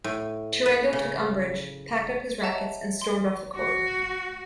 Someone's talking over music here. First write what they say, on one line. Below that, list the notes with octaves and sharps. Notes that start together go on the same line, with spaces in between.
Tarango took umbrage, packed up his rackets and stormed off the court.
A2
B4
C#3
C#5 D#5 E5 F#5 A5 A#5
C6
F#4